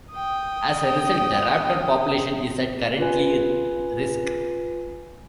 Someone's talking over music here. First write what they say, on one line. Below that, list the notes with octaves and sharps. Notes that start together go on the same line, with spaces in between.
As a result, the raptor population is at currently risk.
G5 D#6
F4 B4 G#5